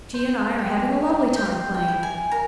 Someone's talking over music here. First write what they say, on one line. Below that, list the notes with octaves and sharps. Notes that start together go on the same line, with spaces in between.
"She and I are having a lovely time playing."
C5
G4
G4
G5
C5 F5
G5
E4
G#5
A#4 A#5